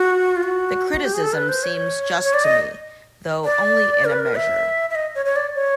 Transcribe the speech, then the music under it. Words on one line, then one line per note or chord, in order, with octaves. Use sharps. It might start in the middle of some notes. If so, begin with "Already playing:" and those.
The criticism seems just to me, though only in a measure.
Already playing: F#4
F4
F#4
G4
G#4
A4
B4
C5
C#5
C#5
D5
D#5
D5
A#4
B4
A#4
E5
E5
D#5
C#5
C#5
D5
C#5